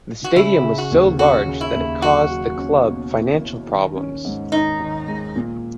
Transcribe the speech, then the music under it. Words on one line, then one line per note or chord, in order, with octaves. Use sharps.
The stadium was so large that it caused the club financial problems.
F#4
C#3 E4
C#3
F#4
D#2
C#4 F#4
C#3
E4
D#2
F#3 F#4
F#3
C#4
B2
E4
B2
D#3
C#4
G#2
D#3 D#4
D#3
G#3
A#2